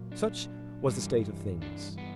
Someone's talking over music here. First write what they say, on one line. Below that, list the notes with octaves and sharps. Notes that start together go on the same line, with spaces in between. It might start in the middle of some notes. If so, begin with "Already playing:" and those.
Such was the state of things.
Already playing: A#2 F#3 A#3
D4
G2 E3 G3
D4
B3